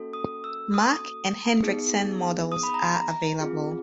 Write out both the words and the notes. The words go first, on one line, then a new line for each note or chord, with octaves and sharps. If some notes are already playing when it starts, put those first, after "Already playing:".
Mack and Hendrickson models are available.
Already playing: A#3 C#4 F#4 A4
D#6
E6
D#6
B3 D#4 G#4
D#6
B5
A#5
A#5
C4 F4 G#4